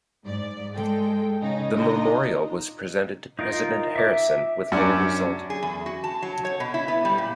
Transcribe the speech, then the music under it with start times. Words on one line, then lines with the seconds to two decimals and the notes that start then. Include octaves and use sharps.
The Memorial was presented to President Harrison with little result.
0.24 G#2 D5
0.75 G#3 A4 G5
1.41 C#3 C#4 D#4
1.74 D4 D#4 F4 D#5
3.39 D#4 F4 A#4
3.96 E5 D6
4.72 F#2 C#4 D4
5.50 G#4
5.63 E2
5.86 F#4
6.04 A5
6.23 F#3
6.45 C#5
6.60 B2
6.74 E4
6.88 B3
7.05 G3
7.18 A#2